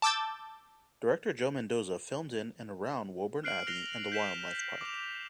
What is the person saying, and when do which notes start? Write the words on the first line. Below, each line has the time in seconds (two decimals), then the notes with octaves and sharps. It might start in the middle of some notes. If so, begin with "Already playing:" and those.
Director Joe Mendoza filmed in and around Woburn Abbey and the Wildlife Park.
0.02 A5 D6 E6 G6 A6
3.43 F6 F#6 C7 D7 F#7
3.67 F#6 A#6 C7 F7 G7
4.12 G6 B6 E7 F7
4.81 D6 F7